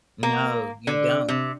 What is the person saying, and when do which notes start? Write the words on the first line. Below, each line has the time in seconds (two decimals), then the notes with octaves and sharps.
No, you don't.
0.23 A#3
0.87 D3
1.28 C3